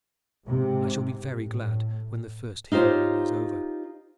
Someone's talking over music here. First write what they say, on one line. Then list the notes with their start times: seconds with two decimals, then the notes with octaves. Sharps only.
I shall be very glad when the first hearing is over.
0.48 G#2 C3
1.39 A2
2.72 D#4 F4 G4 C5 C#5